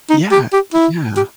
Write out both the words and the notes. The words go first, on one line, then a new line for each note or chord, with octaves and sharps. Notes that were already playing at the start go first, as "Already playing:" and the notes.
Yeah, yeah.
D#4
G4
G4
E4
G4